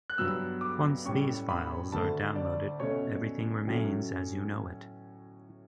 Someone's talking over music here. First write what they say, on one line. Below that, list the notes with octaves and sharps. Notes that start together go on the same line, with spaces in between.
Once these files are downloaded everything remains as you know it.
F#6
G2 F#3 B3 E6
D6
A2 G3 C#4 C#6
B5
D2 D3 A3 A5
D5
B2 A3 C#4 C#5
A2 F#3 A3 C#4